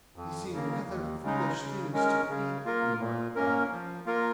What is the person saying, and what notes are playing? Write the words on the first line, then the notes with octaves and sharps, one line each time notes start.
"These seem rather foolish things to eat," remarked Dot.
F2
C#3 A#3
D#2
C#3 G#3 D#4
C#3
G#3 C#4 A#4
C#3
A#3 F4 A#4
A#2
A#3 C#4 A#4
F3
A#3 F4 A#4